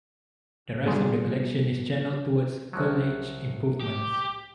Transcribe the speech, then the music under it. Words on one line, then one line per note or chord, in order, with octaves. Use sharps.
The rest of the collection is channelled towards college improvements.
B2 G3 G#4
C2 F3 F#3
G4